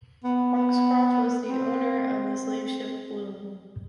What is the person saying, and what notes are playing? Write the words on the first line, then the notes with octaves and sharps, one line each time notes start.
Foxcroft was the owner of the slave ship "Bloom".
B3
B3
C4